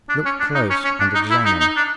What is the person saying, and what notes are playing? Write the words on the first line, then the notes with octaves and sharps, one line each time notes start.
"Look close, and examine."
D4
C#4
D4
D#4
C#4
C#4
D4
D#4
E4
D#4
D#4
D4